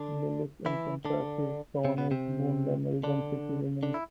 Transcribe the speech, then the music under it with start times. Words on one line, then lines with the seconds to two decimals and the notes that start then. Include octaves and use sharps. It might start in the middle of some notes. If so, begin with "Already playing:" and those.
The list encompasses the honours won by Melbourne City Women.
Already playing: D3 D4
0.66 E3 E4
1.05 D3 D4
1.85 C3 C4
1.97 B2 B3
2.11 C3 C4
3.03 D3 D4
3.83 D3 D4
3.94 E4